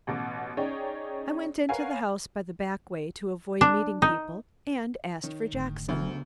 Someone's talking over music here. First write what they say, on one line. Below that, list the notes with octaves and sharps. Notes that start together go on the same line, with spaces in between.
I went into the house by the back way to avoid meeting people and asked for Jackson.
A1 B2 D6
C#4 D#4 G#4 C#5 D5 G5
A#4 B4 C#5 F5 F#5 G#5
D4
D#4
D#3 C#5
F1 G#2 D3 A3
D2 C#3 F#3 B3 D4 C5